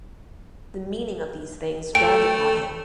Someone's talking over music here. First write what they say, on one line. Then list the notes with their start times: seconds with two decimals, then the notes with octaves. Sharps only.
The meaning of these things dawned upon him.
1.95 A3 A4 G5 D7